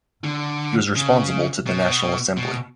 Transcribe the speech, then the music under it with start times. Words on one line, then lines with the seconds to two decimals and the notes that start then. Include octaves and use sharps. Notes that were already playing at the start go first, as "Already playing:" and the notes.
He was responsible to the National Assembly.
0.24 D3
0.96 C#3
1.67 B2
2.37 B2